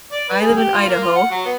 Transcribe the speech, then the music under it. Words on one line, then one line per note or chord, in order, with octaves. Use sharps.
I live in Idaho,
D5
B4
G#4
G4
F4
A#3
F4
F#5
F#3
B3